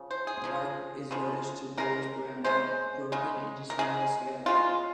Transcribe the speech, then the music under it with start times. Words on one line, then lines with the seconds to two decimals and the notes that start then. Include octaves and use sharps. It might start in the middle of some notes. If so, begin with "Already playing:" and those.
The bark is reddish- to grayish-brown, and broken into small scales.
Already playing: C#3 F3
0.11 C5
0.27 G#4
0.44 C#3 F3 G#3
1.11 C#3 F3 G#3
1.77 C#3 G#3 A#4
2.44 C#3 G#3 C5
3.12 C#3 G#3
3.70 A#4
3.79 C#3 G#3 G#4
4.46 C#3 G#3 F4